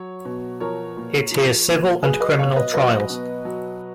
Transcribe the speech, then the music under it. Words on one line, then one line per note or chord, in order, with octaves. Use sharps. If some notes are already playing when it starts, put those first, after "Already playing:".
It hears civil and criminal trials.
Already playing: F#3 C#5
B2
F3 A#4 C#5
A#2
F3
A#2
F#3 G#4 B4
B4 D#5
B2 C#5 F5
B4 D#5
F#3 B4 D#5
B2
F#3